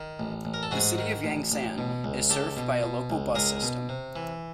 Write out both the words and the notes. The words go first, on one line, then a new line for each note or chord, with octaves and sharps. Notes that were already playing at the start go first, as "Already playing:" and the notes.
The city of Yangsan is served by a local bus system.
Already playing: D#3
A1
A1
A#4
A4
G#2 F#4 G#4
D#3
A1
A1
B2
C#2
C#2 G4 A4
B2
B2
C#2
C#2 G#4 A#4
B2
C3
E3